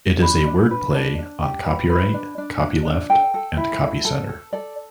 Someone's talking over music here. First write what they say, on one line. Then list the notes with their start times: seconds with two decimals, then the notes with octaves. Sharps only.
It is a word play on copyright, copyleft and copy center.
0.22 D4 B5
0.47 D4
0.71 B4
0.94 D4 A5
1.18 D4
1.42 G4
1.66 B4
1.89 B4
2.14 D4
2.38 D4
2.62 D4
2.86 D4
3.10 A4 G5
3.34 A4
3.57 E4
3.81 A4
4.05 A4
4.29 A4
4.53 A4 D5